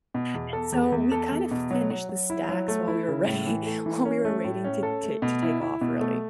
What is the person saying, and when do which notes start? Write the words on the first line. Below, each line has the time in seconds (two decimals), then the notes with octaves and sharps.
and so we kind of finished the stacks while we were ready while we were waiting to to to take off really.
0.14 B2
0.34 E2
0.53 A4
0.72 E2
0.92 E2
1.12 A4
1.32 E2
1.51 B2
1.71 F#3
1.90 F#3
2.09 F#3
2.30 E4
2.49 F#3
2.68 A3
2.88 E4
3.08 C#3
3.27 A2
3.46 E3
3.66 A3
3.86 E3
4.05 C#4
4.25 A3
4.45 A2
4.64 C#4
4.83 A4
5.03 A3
5.22 B2
5.43 E4
5.62 E4
5.81 B2
6.01 A3